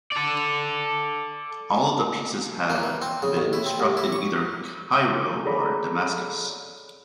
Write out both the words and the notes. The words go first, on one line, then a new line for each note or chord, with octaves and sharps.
All of the pieces had been struck in either Cairo or Damascus.
A4 D5
A#3
E3
C4
C#3
A1
E4
C4
C2
E4
C#6
G#4 A4 C#5 D5 A#5 B5